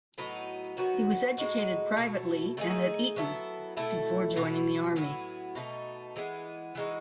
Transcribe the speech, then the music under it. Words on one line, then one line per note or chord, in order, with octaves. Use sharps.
He was educated privately and at Eton before joining the army.
A2 F#3 B3 D#4
D#3 F#3 B3 F#4
A2 G#3 D#4 F#4
B2 F#3 A3
D#3 A3 D#4 G#4
F#3 B3 E4 A4
B2 A3 E4 A4
B2 F#3 B3
A2 F#3 B3 E4
B2 A3 D#4
E3 G#3 B3
E3 G#3 D#4 F#4